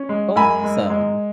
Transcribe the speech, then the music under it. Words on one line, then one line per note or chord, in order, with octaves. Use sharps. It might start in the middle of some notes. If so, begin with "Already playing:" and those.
Oh, awesome.
Already playing: C#4
G#3
F#2 G#5 B5
G#3
G#3